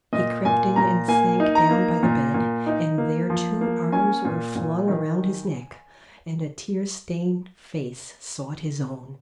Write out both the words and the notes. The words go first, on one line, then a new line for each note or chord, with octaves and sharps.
He crept in and sank down by the bed, and there two arms were flung around his neck, and a tear-stained face sought his own.
A#2 D#5
A#2 G#5
A#2 A#5
A#3 G#5
D#4
A#5
A#3
A#2
A#2
D#4
A#3
F3
A#3
C#4 G#5
A#2
A#2
D#3